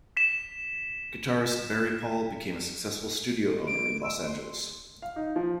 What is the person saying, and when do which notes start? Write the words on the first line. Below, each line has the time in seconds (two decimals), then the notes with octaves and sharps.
Guitarist Barry Paul became a successful studio owner in Los Angeles.
0.17 B6 E7
3.67 D7
4.03 E6
4.26 C6
5.02 F5
5.16 D#4
5.36 F3